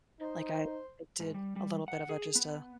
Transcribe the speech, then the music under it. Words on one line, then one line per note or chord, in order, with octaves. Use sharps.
like, I I did a little bit of a just a,
D#4 C5
G#2
G3
G3
F#5
G#4
B3